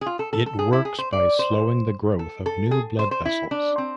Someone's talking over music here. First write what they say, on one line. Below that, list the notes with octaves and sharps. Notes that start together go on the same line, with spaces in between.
It works by slowing the growth of new blood vessels.
G#4
F4
A4
A4
A4
G#4
E4
G#4
C5
D5
C5
A4
A4
G#4
C5
C5
E4
D4
C4